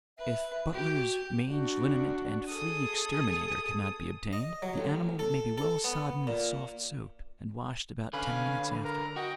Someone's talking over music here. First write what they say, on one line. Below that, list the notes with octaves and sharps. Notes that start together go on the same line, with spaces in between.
If 'Butler's Mange Liniment and Flea Exterminator' cannot be obtained, the animal may be well sodden with soft soap and washed about ten minutes after.
B4 E5
F#4 G4
D4 F#4
G#4 A4 D#6
D#5
F#3
A1
A4
A4
B3
A#2
D3 C#4 B4 F5 G#5
A#4 A#5
F#4 D#5 G5